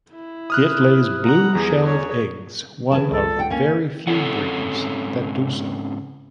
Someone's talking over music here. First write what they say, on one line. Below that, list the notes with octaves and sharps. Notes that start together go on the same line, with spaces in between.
It lays blue-shelled eggs, one of very few breeds that do so.
E4
D#6 F6 F#6
F#5 A#5
E2 G#4
G#4 C#5
E3 G#4 A5
C#2 A4
F#5 G5
A#3 C#4 G#5
G#2 C#3 C4 A4 C#5 F#5